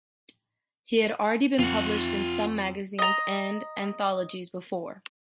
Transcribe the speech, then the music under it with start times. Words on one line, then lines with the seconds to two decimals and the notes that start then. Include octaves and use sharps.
He had already been published in some magazines and anthologies before.
1.59 F2 F4 F#5
2.99 D#5 A#5